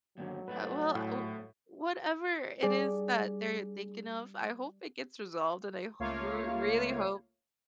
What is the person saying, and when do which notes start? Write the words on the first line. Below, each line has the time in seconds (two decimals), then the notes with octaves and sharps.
Uh, well, u whatever it is that they're thinking of, I hope it gets resolved and I h r really hope
0.18 D#2 G#2 D3 F#3
0.48 G#2 A3 F#4 B4
0.95 A2
2.63 G3 D4 G#4 D5
5.99 C#2 A3 A#3 F4 C#5 F5